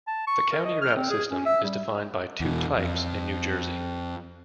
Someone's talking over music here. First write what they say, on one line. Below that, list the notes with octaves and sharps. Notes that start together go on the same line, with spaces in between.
The County Route system is defined by two types in New Jersey.
A5
C#6
A#4
D#5
F6
C4
G#4
C#4
E5
G3
E2 B2
F2